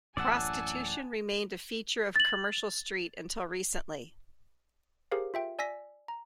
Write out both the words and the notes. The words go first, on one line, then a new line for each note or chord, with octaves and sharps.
Prostitution remained a feature of Commercial Street until recently.
A1 F#2 A2 D5 F#5 G#5 A5 E6
A6 F#7
G4 G#4 A#4 C5 F5
F4 E5 G5
D5 G#5 E6 A#6 B6
A#5